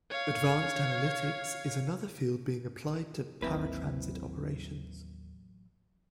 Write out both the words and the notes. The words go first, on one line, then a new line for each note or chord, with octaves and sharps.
Advanced analytics is another field being applied to paratransit operations.
C#5 F5
A1 D#2 F#3 A#3 C4 E4 B4